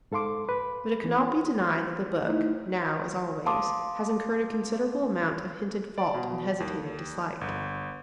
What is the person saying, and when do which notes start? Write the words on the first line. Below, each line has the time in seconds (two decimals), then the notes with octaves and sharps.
But it cannot be denied that the book, now as always, has incurred a considerable amount of hinted fault and hesitated dislike.
0.12 G#2 A4 F5 C6 D6
0.49 B4
1.04 E3
2.28 A3 D#4 E4
3.46 F5 A5 C6 D6 D#6
5.98 D5
6.14 B2
6.60 D#2
7.41 G1